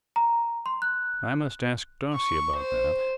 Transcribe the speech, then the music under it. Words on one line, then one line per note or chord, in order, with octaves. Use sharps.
I must ask Darcy about that.
A#5
C6
F#6
C#6
C5